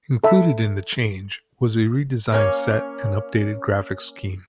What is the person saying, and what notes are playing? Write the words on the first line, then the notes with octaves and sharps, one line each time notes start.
Included in the change was a redesigned set and updated graphics scheme.
A4 E5
A#3 C#4 C#5